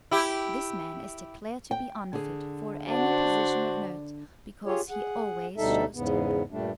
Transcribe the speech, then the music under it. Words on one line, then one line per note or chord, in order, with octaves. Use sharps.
This man is declared to be unfit for any position of note, because he always shows temper.
E4 G4
G5
D3 G#4
D4 F#4 C5
F4 G4 G#4 C#5
G#4 F#5
D2 B2 G3 D#4 A4 E5
E2 G#2 C#3 B3
G2 A#2 G3 A3 D4